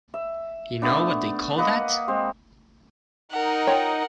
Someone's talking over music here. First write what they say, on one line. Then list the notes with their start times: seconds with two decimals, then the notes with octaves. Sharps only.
You know what they call that?
0.14 E5
0.82 A3 B3 D4
1.57 A#3 B4 D#5 F#5
2.08 G#3 C4
3.31 D#4 A#4 F#5
3.67 F4 C#5 G5